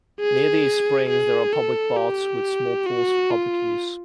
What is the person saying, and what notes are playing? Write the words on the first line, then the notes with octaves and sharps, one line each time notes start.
Near these springs there are public baths with small pools for public use.
G#4
G#4
A4
G4
F#4
F4